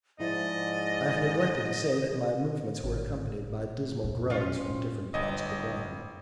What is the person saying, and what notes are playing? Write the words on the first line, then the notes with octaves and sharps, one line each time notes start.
I have neglected to say that my movements were accompanied by dismal groans from different parts of the grotto.
G#2 F3 E4 D5 D#5
G#1 A2
F2 A#2
C4 C#4 F4
A#2 G#3
G1 D#5